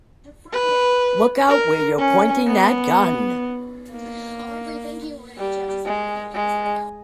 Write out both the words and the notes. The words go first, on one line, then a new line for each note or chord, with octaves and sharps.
Look out where you're pointing that gun!
B4
A#4
C#4
B3
A#3
G3
G#3
G#3